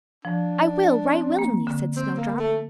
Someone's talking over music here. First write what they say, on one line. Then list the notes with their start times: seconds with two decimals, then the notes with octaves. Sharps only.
"I will, right willingly," said Snowdrop.
0.25 F3 D4
1.11 C4
1.39 A#3
1.67 D3
1.96 C4
2.18 A#3
2.40 A3